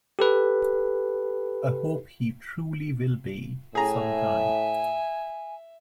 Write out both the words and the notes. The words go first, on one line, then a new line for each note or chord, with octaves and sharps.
I hope he truly will be, sometime.
G4 A4 B4
A2 G#4 E5 G#5 A#5